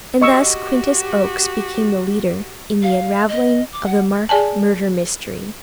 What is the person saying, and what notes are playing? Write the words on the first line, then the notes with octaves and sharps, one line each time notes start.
And thus Quintus Oakes became the leader in the unravelling of the Mark murder mystery.
F#4 G4 D#5 C#6 E6
F5
D#5
D6
F#5
G#4 D5 G#5 A5